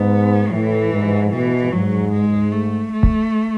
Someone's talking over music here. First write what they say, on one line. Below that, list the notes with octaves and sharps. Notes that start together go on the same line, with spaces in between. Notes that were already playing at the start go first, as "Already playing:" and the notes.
The radiator has an air lock.
Already playing: G#2 B3
A2 E3
G#2
B2 E3
G#2 F#3
G#3
A3
A3